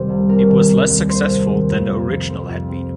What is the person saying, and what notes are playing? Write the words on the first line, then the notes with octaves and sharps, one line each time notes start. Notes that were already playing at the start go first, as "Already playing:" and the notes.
It was less successful than the original had been.
Already playing: F1 C3 D#3 G3 C5
C2
C4 A#4
D#3
G3
D#2
A#3 C5
C3
D#3
F2
F2
F3
C4
F2
C4